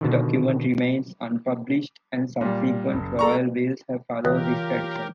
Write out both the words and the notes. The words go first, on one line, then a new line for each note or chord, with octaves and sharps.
The document remains unpublished, and subsequent royal wills have followed this tradition.
B2 D3 D#3
A#2 G3
F#1
A4 A#5 C#6
C#2 E3 F4 G4 A#4 C#5 D#6 F#6